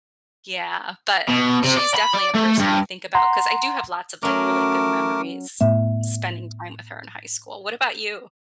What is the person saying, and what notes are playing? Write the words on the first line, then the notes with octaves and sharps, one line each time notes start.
yeah, but she's definitely a person I think about, 'cause I do have lots of like, really good memories spending time with her in high school what about you?
B2
C3
D5
B5
D5
A3
G2
F#5 A#5 C6
F#3 A3 C#4 A#4 D6
A2 A3 B3 E5